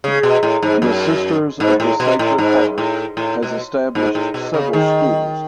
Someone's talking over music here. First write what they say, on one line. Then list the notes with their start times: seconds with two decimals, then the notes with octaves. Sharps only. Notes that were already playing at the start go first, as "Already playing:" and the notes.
The Sisters of the Sacred Heart has established several schools.
0.04 C#3
0.23 B2
0.43 A2
0.63 G#2
0.82 F#2
1.60 G#2
1.80 A2
2.00 B2
2.19 A2
2.38 G#2
2.78 A2
3.17 A2
3.43 B2
3.95 G#2
4.15 A2
4.34 B2
4.54 C#3
4.73 D#3